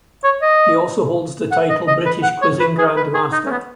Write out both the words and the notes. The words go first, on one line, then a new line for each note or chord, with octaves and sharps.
He also holds the title "British Quizzing Grandmaster".
C#5
D#5
F#5
D#5
D#5
B4
F#5
C#5
B4
G#4
B4
G#4
D#4
C#4
B3